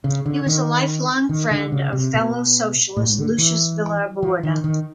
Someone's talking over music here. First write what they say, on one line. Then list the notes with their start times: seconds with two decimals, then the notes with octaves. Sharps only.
He was a life-long friend of fellow socialist Luis Villar Borda.
0.04 C#3
0.26 D3
0.46 D#3
1.29 D#3
1.51 D3
1.72 C#3
1.93 C3
2.14 B2
2.97 A2
3.08 G#2
3.18 D3
3.38 E3
4.22 F3
4.43 D#3
4.64 D#3